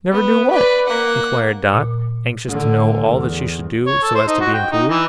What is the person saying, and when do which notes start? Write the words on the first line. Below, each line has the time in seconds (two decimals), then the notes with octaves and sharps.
"Never do what?" enquired Dot, anxious to know all that she should do, so as to be improved.
0.12 B3
0.51 B4 D5
0.87 A#3 F#5
1.73 A#2
2.48 A2 D3
3.11 E2
3.87 C#5
4.03 A4
4.15 C5
4.28 D#4
4.41 F#4
4.54 G5
4.72 D#4
4.90 E3